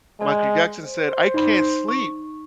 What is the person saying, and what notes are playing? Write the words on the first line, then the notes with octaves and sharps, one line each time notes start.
Michael Jackson said, "I can't sleep
G#3 D5 A5
C5
D#4 D5 B5
C#6